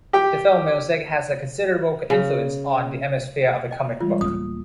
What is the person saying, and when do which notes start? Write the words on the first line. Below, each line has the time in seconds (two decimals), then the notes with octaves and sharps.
The film music has a considerable influence on the atmosphere of the comic book.
0.13 G4 G5
2.10 C#3
3.71 D#5 G5
4.00 E3 G3 G#3 F4
4.21 D1 A#3 D#6